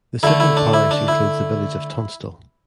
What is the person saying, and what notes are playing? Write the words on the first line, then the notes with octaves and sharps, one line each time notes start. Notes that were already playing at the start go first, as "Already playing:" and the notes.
The civil parish includes the village of Tunstall.
D3 A3 E4
E4
D4
E4
D4
E4